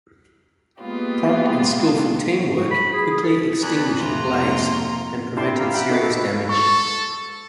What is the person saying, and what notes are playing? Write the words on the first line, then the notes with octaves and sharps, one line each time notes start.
Prompt and skillful teamwork quickly extinguished the blaze and prevented serious damage.
G#3 A#3 B3 F4 G4
F#4
B5
G#4
G#4
A4
E2 B3 B5 F#6
F2 C3 F4 A#5
G#2 A#3 C#5
D4 E4 G4 G5 A5 C6
A#4 F5
E5 F#5 G5 B5
D#4 F#4 A4 B4 D6
A4
B4
A4 C#6